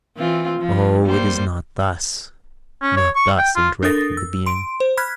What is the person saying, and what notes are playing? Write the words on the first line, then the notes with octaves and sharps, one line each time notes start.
"Oh, it is not thus--not thus," interrupted the being.
E3 C4 F4
F3
G3 A#3 C5
C#4
C#5
C#6
G5
F4
D4 A4 A#4 D#6 A6 A#6
E6
C6 D7
C5
B5 F6 F#6 G#6 B6